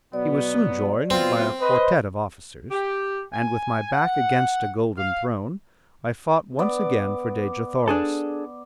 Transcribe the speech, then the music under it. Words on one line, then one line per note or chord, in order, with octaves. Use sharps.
He was soon joined by a quartet of officers, and, with my back against a golden throne, I fought once again for Dejah Thoris.
B2 F#3 B3 D5
F#3 B3 C4 F4
B4 C5 D#5
G4
G#5
F#5
F5
B3 D5
D4 G#4 A4